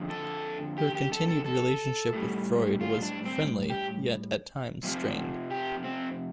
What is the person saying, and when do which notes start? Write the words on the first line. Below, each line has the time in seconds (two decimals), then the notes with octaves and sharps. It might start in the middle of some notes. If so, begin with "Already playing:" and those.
Her continued relationship with Freud was friendly, yet at times strained.
Already playing: F2 D3 F3
0.10 A4
0.78 G4
0.95 G4
1.12 A4
1.28 A4
1.46 A4
2.13 A2 G3
2.81 F4
3.02 D4
3.25 C4
3.70 G4
4.83 F2 C3 F3
5.51 G4
5.84 C4